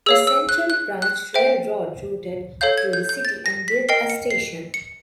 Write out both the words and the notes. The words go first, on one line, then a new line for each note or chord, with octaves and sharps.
The Central Branch Railroad routed through the city and built a station.
G#4 C#5 F5 E6
E6
F#6
F#6
F#6
C5 E5 G5
A4 C#5 F5 G6
G#6
G6
G6
A6
A#6
B6
A#4 D#5 G5 C7
C#7
C7
C#7